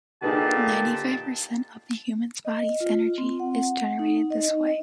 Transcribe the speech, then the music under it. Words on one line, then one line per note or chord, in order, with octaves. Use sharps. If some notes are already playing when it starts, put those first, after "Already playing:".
Ninety-five percent of the human body's energy is generated this way.
A#2 D3 D#4 G4 G#4 B4 A5
D#5
F4
C4
F#5
D#4
D#5
D#4
D#5